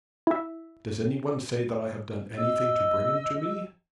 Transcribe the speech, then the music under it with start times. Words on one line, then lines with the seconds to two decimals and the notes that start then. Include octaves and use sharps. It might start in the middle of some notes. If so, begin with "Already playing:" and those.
'Does any one say that I have done anything to bring him to me?
0.27 E4 E5
2.37 D#5 E6